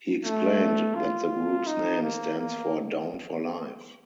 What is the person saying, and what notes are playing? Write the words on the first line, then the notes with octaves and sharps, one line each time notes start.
He explained that the group's name stands for "Down for Life".
A3
F4
D#4
A#3
A#3